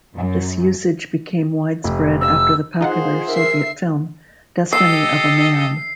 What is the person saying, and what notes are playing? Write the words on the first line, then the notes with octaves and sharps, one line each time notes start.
This usage became widespread after the popular Soviet film "Destiny of a Man".
F#2
F1
E6
D#4 F4 G#4 C5 F#5
A#4 E5 C7
G4 A4 D#5 E6 C7